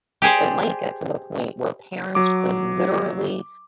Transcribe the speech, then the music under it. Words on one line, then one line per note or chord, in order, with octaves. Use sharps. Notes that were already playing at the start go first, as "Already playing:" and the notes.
it might get to the point where parents could literally
G4 G#4 C5 D5
F#3 D6